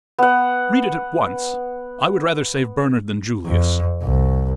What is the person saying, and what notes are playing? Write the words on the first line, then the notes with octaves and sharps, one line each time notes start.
"Read it at once; I would rather save Bernard than Julius."
B3 F#5
F2
C2